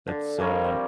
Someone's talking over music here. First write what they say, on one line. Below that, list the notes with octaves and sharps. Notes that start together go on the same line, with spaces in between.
that's uh,
D3
F3 G3 A#4 C#5
C4